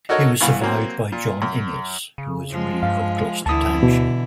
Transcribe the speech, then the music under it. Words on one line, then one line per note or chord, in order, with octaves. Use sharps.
He was survived by John Innes who was reeve of Gloucester Township.
D#4 F#4 A4 A#4 C#5 D#5
G2 B2 E3 F5 B5
F#3 A#3 C4
A#2
F#2
C#3
F3 G#3
G2 F5
D2 D3 E3 E4 A5 D#6
B2